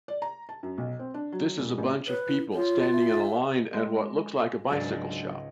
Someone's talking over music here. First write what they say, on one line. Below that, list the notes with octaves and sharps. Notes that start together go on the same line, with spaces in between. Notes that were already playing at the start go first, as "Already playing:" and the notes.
This is a bunch of people standing in line at what looks like a bicycle shop.
D5
A#5
A5
F#2
B1
C4
D4
F#3
E1
A1
B4 C#5
E4
F4 C#5
E5
G#3
C#2 G#2 F#3 D4